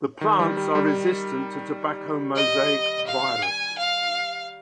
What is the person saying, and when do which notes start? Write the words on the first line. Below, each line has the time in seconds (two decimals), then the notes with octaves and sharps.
The plants are resistant to tobacco mosaic virus.
0.21 D#3
0.40 G3
0.57 G3
0.75 G3
2.35 D#5
3.07 F5
3.42 G#5
3.78 F5